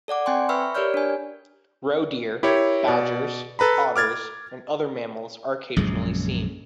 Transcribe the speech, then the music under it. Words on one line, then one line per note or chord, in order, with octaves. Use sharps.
Roe deer, badgers, otters and other mammals are occasionally seen.
A4 D5 F#5 D6
C4 G5 G#5 C6
B4 E5 B5 C#6 E6 F6
G4 A#4 C#5 D5 F6 G6
D4 G#5
E4 G4 A#4 C#5
B2 D5
A4 B4 A#5 B5
D6 F6 G#6 A6
A#1 F#2 C#3 G#3